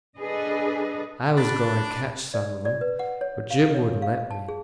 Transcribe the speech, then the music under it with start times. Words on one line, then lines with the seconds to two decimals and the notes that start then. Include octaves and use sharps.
I was going to catch some of them, but Jim wouldn't let me.
0.18 D4 G#4 A4 B4 D#5
1.37 D4 B5 F#6 A6
2.34 D5
2.65 D5
2.81 B4
2.99 F#5
3.21 C#5
3.51 F5
3.74 C#5
4.02 F5
4.31 A5
4.48 G#4